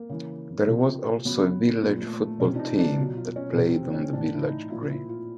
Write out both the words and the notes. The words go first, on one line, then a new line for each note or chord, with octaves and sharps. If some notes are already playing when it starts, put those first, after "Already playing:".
There was also a village football team that played on the village green.
Already playing: A#3
C#3 E3
C3 F3
C#3 F#3 B3
A#2 F3 B3
A3
A3
C3 F3 C#4
D4
D#4
D4
B2 F#3 F4
F4
C#4
C3 F3 C#4
C4
C#4
A2 E3 D4
E4
D#4
A#2 F3 E4
E4
F4